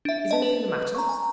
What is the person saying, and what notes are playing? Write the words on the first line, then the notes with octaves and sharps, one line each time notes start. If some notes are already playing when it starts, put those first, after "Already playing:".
Is anything the matter?
D4 E5
D#5 A5
B4
A#5 C#6
G#5 A#5